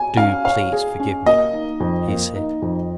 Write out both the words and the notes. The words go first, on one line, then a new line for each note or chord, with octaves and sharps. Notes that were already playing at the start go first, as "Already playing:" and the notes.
"Do please forgive me," he said.
Already playing: G#5
C#4 F5
C#5 F5
G#4
C#4
A#3 D#5
D#4
F2
A#3
D#4
F2